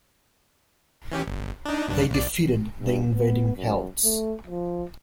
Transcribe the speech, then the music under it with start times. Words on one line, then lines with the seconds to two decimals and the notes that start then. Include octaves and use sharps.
They defeated the invading Celts.
1.11 E3 C#4 G4
1.26 G1
1.65 D4 D#4
1.88 B1 G2 D4
2.10 A#1 D5
2.81 G2
3.11 B3
3.57 F#2
4.04 A3
4.47 F3